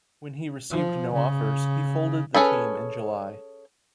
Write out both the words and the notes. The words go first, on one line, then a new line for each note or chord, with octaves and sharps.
When he received no offers, he folded the team in July.
F3
C#3
C#4 G#4 A4 B4